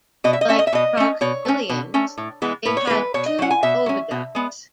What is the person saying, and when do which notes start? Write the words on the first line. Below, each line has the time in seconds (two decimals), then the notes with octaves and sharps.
Like crocodilians, they had two oviducts.
0.24 B2 D#5
0.33 E5
0.41 D#5
0.49 A3 C#4 E5
0.59 D#5
0.67 E5
0.73 B2 D#5
0.97 A3 C#4
1.21 B2 C#5
1.45 A3 C#4
1.69 B2
1.94 A3 C#4
2.18 A2
2.42 E3 G#3 B3
2.65 A2 B4
2.77 C#5
2.87 E3 G#3 B3 B4
3.14 B2 C#5
3.26 D#5
3.39 F#3 C#4 F#5
3.50 G#5
3.63 B2 E5
3.86 F#3 C#4
4.11 B2
4.35 G#3 B3